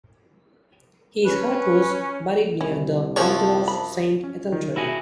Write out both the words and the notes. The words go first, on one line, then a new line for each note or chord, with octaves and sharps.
His heart was buried near the altar of Saint Etheldreda.
C#4 B4
C2 C#4 E4
F#2 C#3 F3 C5 C#5 A5 C#6
B5
C#4
D#3
E4 F#4 G#4